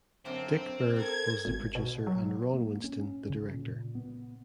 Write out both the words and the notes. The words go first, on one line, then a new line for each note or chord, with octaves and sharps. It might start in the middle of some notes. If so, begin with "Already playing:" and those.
Dick Berg was the producer and Ron Winston the director.
F#2 A#2 D3 C4
A4 A#4 G#6
G#1
B2
F#3
A#3
C#4
C#3
A#2
B3